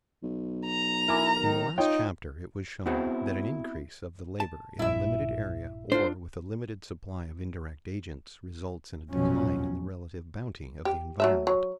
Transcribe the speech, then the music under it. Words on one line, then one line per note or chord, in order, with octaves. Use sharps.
In the last chapter it was shown that an increase of the labor in a limited area or with a limited supply of indirect agents results in a decline in the relative bounty of the environment.
B1
A#5
E4 A#4 G#5 D6
D#3 A#4
D#4 F4 C#5 G5
B3 C4 E4 F#4 G#4 C5
A5
A#1 G2 A#2 E4 E5
D4 F4 C5
A1 F2 B2 F3 F#3 C#4
G4
F#3 A3 E5
F#3